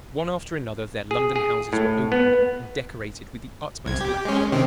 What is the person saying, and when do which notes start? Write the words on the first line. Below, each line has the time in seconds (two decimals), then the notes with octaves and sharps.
One after another their London houses were opened and decorated with the utmost lavishness.
1.11 G#4
1.36 G#4
1.73 A2
2.12 B3
3.86 C2 G#6
4.01 G4
4.25 G#3 C#4
4.52 C3 D#3 C4